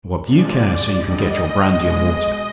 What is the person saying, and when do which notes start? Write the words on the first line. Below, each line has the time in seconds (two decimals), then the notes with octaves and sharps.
But what do you care so you can get your brandy-and-water?
0.24 C3 F3 G#3 D5
0.95 D3 G3 D#5
1.68 B2 G#3